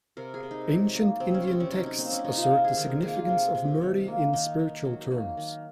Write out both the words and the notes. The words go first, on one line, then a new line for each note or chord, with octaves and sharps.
Ancient Indian texts assert the significance of "Murti" in spiritual terms.
C3 A#4
G#4
C3
D#4
F#3
A#3
C3 C4
C#4
C3 C4
C#4
F#3 D#4
C#4
A#3 C4
C#4
C3 D#4
F4
C3
G#4
D#3 A#4
G#4
A#3 G#4
F4
C3
C3
D#3
A#3
D#3 D#4
D#3
F#3
A#3
D#3